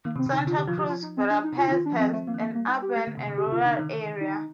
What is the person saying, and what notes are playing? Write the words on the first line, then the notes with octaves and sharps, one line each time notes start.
Santa Cruz Verapaz has an urban and a rural area.
D#3 A#3
C3
C4
C3
D#4
D3
D3 F4
D#3 G4
F3 F4
F3 G4
F4
D#4
C4
D4
D#4
C3
F4
D3
D#4
D#3 F4
D4
F3
C4
A3 C4
F3 A#3
D#3
A#3
G3 A#3
D#4
G4
A3
D3
C3
D3
D3 G4
C3
D3 F4
D3 D#4
D#3
D#4